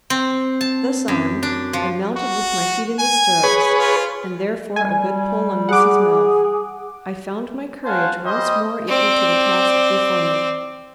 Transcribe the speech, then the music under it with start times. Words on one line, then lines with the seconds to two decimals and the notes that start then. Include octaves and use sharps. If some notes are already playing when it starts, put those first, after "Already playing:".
Thus armed, and mounted with my feet in the stirrups, and therefore a good pull on Missy's mouth, I found my courage once more equal to the task before me.
0.10 C4
0.61 A5
1.08 F#2
1.43 D4
1.73 F3
2.17 F#4
2.99 G#5
3.43 G#4 B4 C#5
3.79 F4
4.76 G3 G#5
5.69 G#4 F#5 D6
7.84 C5 C#5 F5 F#5 G#5 A5
8.24 G3 C#4 C5 D#5
8.88 C4 D5